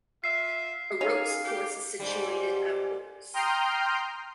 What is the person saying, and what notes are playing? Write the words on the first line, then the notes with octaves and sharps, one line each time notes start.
A ropes course is situated outdoors.
F4 E5 C7
C#4 D#4 G#4 F5
G4
G#2 G3
G5 A#5 C6 D#6 F6 G6